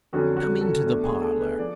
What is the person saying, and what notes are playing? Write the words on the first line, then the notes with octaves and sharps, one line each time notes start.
Come into the parlour.
F2 D3 F#3 C#4 F#4
F#4
A4
B2 A3 D4
G#4
A4
B4
F3 D5